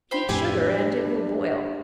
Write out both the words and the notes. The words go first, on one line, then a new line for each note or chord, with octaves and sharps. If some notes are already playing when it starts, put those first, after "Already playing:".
Heat sugar and it will boil.
F4 C5 G5 B5
F2 A2 D4 E4 G4 B4 G#5